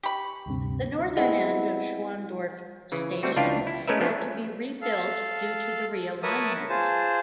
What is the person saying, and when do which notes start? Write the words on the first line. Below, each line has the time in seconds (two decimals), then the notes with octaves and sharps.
The northern end of Schwandorf station had to be rebuilt due to the realignment.
0.03 G4 B5 C#6
0.46 D2 G2 C3
1.17 G#3 B3 C4 E4
2.92 C#3 E3
3.22 G3 A3 C4 F#4 C5
3.36 C#2 D4 E4 F4 F5 G5
3.67 E4
3.88 G#3 A3 C#4 A#4 B4 E5
4.00 F3 A3 B3 C#4 D4
4.82 A4 F5
6.23 A#4 B4 C#5 E5 A5 D#6
6.69 F4 G#4 C5 A5